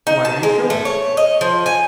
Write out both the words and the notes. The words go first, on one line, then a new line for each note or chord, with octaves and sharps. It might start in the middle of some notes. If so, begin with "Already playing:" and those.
"Why are you sure?"
D#4
A5
G#3
A3
C#5
D#5
F3
G#5